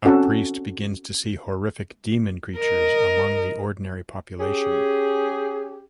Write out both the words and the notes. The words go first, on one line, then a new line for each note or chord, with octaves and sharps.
A priest begins to see horrific demon creatures amongst the ordinary population.
C4 C#4 F#4 A4 F#5
A#4 D#5
C#4 G4 G#4